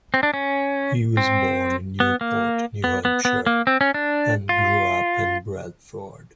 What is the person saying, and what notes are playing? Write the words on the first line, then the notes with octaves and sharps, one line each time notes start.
He was born in Newport, New Hampshire, and grew up in Bradford.
C4
D4
C#4
C4
B3
A#3
B3
B3
B3
A#3
C4
C#4
D4
F4